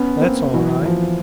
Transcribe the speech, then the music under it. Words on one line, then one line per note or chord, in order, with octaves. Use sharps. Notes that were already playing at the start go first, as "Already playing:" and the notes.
That's all right.
Already playing: B3 C#4
A#3 C4
E3 F#3
F3